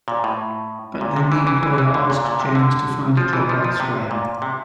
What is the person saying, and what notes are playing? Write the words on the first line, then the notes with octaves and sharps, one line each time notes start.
But then the employer asked James to find a job elsewhere.
A#2
A2
A#2
C3
E3
E3
E3
E3
D3
A#2
A#2
C3
D3
F3
E3
F3
F3
C3
A#2
C3